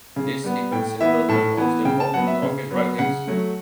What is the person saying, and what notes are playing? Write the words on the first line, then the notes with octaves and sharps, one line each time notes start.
This he considered the most important of his writings.
C#3
G3 B3
A2 G5
E3 B3 E5
A2 A5
E3 B3
C#3 G5
A5
F#3 B3 F#5
E5
C#3
F#3 B3
C#3 F#5
F#3 A3